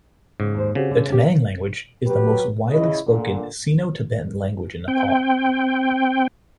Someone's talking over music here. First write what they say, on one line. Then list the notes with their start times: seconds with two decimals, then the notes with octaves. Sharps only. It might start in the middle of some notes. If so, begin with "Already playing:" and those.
The Tamang language is the most widely spoken Sino-Tibetan language in Nepal.
0.40 G#2 C#3
0.54 D#2 C5
0.75 C#3 C4 F#4 G4
0.91 D3
1.10 C#4 G4
2.06 F#3 G4 B4
2.69 C#3 E4 G#4 D#5
3.07 A#2 D3
4.88 C4 G5